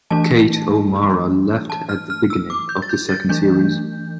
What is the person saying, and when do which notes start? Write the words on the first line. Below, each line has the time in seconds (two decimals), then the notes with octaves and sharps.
Kate O'Mara left at the beginning of the second series.
0.11 E3 A3 D4 A5
1.70 A5
1.89 F6
2.10 F6
2.30 E6
2.50 D6
2.69 G6
2.82 A6
2.89 G6
3.09 A6
3.29 E3 A3 D4 G6